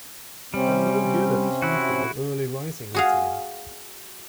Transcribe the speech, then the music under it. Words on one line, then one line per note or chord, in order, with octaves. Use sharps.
I'm no good at keeping an early rising routine.
C3 G3 C4 C#4
E4 F#4
F#4 G#4 F5